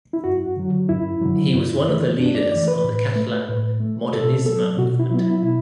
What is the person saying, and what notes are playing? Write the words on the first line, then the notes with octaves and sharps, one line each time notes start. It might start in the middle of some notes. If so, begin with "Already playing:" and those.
He was one of the leaders of the Catalan "modernisme" movement.
E4
F#2 F#4
D3 F#3
F#2 E4
D3 F#3
F#2
E3 A3
F#2 D4
D5
E3 A3 D5
B4
A2
A3
A2
A3
B2 A4
F#3 B3 A4
B2 F#4
E4
F#3 B3
E4
B2 E4